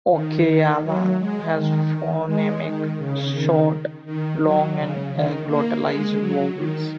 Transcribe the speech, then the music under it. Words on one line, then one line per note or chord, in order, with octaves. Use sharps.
Oowekyala has phonemic short, long, and glottalized vowels.
D#3
D#3
F#3
G#3
D#3
G#3
D#3
C#3
D#3
D#3
F#3
C#3
D#3
A#3
G#3
F#3
D#3